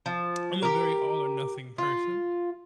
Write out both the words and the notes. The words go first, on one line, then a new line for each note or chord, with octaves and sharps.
I'm a very all or nothing person
F3
G4 A#4
F4